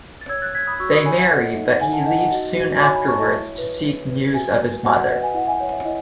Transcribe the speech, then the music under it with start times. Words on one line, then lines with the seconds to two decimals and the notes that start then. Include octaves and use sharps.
They marry but he leaves soon afterwards to seek news of his mother.
0.21 A6
0.29 C#5 E6 G#6
0.42 F#6 A6
0.54 C#5 G#6 B6
0.67 B5 D#6
0.80 F#4 C#6 E6
0.92 B5 D#6
1.05 C#5 G#5 B5
1.18 E5 G#5
1.30 A4 D#5 F#5
1.43 D#5
1.56 D#4 E5
1.68 D#5 F#5
1.81 D#4 E5 G#5
1.93 F#5 A5
2.06 D#4 D#5 F#5
2.19 D#5 F#5
2.31 F#4 D#5
2.56 F#4
2.82 C#5 E5 G#5
2.95 G#5 B5
3.07 C#5 A5 C#6
3.20 D#5
3.32 E4 E5
3.58 B4
3.83 B4
4.08 B4
4.33 F#4 E5 G#5
4.59 B4
4.84 F#4 D#5 F#5
4.96 E5
5.10 B4 D#5
5.23 G#5
5.34 E4 D#5 F#5
5.47 E5 G#5
5.60 C#5
5.72 E5
5.85 E4 D#5